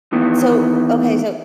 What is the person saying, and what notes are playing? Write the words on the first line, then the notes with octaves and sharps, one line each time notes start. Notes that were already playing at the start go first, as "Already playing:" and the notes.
So, okay, so,
D#3 E3 B3